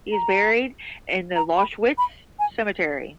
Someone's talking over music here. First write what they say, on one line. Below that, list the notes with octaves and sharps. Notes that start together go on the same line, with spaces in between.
He is buried in the Loschwitz Cemetery.
A#5
A#5
B5
B5
G#5